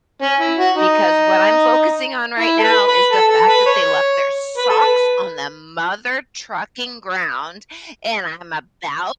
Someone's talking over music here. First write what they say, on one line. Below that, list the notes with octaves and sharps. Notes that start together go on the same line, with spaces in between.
Because what I'm focusing on right now is the fact that they left their socks on the mother trucking ground, and I'm about
C#4
E4
F#4
D#4
E4
A4
B4
B4
A4
A4
B4
C#5
B4
A4
B4